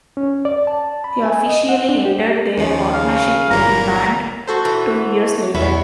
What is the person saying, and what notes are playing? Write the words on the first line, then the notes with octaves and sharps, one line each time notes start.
They officially ended their partnership with the band two years later.
C#4
D5
A5
B5
G#5
D#5
F#5
D4
G4
D#2 F3 C#4
C#3 F5
G1 A#2 E3 A#3 A#5
F#4 A4 C5
E3
E2 B3 C#4 E4